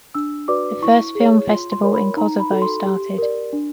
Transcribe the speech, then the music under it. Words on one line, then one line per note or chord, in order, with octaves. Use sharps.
The first film festival in Kosovo started.
D4 E6
F#4 B4 D5 D6
E4 C#6
G#4
C#5
F4 C6
C6
A#4 C#5
B5
D#4 A#5
B5
F#4 A4
C6
G4
A#4 D5
D4